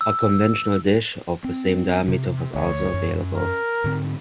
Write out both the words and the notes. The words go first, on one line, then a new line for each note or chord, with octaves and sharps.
A conventional dish of the same diameter was also available.
E6
C4
C3
D2 C#5
F#2
A#4
G#2 D3 C4